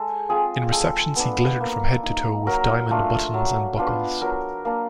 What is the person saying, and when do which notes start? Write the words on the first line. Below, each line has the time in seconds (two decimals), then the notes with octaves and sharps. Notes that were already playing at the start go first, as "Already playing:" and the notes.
In receptions he glittered from head to toe with diamond buttons and buckles.
Already playing: G#3 A4
0.29 C4 F4 G#4
0.72 G#3 A4
1.16 B3 D4
1.61 A#3
2.03 D#4
2.47 F#3 A#4
2.91 A3 D4 F4
3.34 F#3
3.78 B3 D4 F4
4.21 F#3 A#4
4.65 A#3 D4